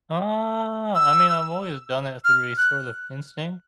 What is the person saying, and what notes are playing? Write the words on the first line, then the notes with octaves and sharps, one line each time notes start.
Uh, I mean, I've always done it through a sort of instinct.
E6
F6
F#6